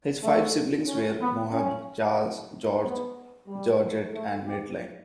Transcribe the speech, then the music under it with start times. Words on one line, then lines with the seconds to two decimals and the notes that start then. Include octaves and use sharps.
His five siblings were Moheb, Charles, George, Georgette and Madeline.
0.22 A3
0.87 C#4
1.19 B3
1.52 C#4
2.82 B3
3.48 G3
4.13 A3
4.46 G4